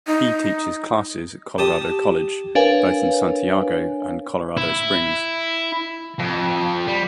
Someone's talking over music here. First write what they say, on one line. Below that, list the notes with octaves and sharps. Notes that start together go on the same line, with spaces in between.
He teaches classes at Colorado College both in Santiago, and Colorado Springs.
D#4
G4 A5 D#6
D4 A#4 B4 C#5 F5 G#5
E4
F2
G3